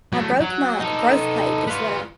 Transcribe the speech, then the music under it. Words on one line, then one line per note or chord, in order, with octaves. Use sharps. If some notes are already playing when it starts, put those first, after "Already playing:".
I broke my growth plate, is what I
F#3 A3
F#3
D#4 A4
B3 F4